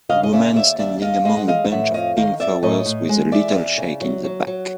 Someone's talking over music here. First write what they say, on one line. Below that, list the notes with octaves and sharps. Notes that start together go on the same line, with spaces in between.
A woman standing among a bunch of pink flowers, with a little shack in the back.
C#3 D#5 F5
D#5
C#3 D5 E5
D#2 D5 E5
D#2 D5 E5
D#2 D#5 F5
G#3 D#5 F5
F#5
E3 D#5 F5
A2 E5 F#5
F2 D#5 F5
D#3 D#5 F5
F2 D5 E5
A2 C#5 D#5
A2
G#3
E3 D5 E5
E2
C#3
F#3
F#3
F#3